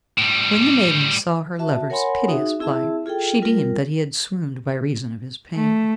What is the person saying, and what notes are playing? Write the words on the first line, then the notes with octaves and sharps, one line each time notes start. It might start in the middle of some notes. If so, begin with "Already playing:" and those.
When the maiden saw her lover's piteous plight, she deemed that he had swooned by reason of his pain.
A2 G3
F#4 E5 A5
A#4 C#5 F#5 G#5 B5 C6
D#4 F#4 G#4 E5
C4 E4 G#4 E5 A5
F4 G#4 A4 G5
G3 F4 A#4
A3